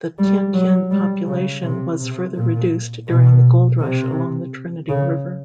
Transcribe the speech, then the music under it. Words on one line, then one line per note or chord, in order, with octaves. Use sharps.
The Tien-Tien population was further reduced during the gold rush along the Trinity River.
G3
F#3
G3
C#3
C3
C3
A#2
B2
C3
C#3